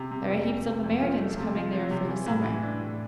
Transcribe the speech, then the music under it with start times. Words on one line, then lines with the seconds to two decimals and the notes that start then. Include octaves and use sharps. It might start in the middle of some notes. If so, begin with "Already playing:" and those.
There are heaps of Americans come there for the summer.
Already playing: C3
0.11 C3
0.29 F1
0.48 F1
0.66 C3
0.84 F2
1.01 F3
1.19 A3
1.36 C3
1.55 F3
1.73 F3
1.91 C3
2.08 E3
2.26 A2
2.44 E3
2.62 D4
2.81 A2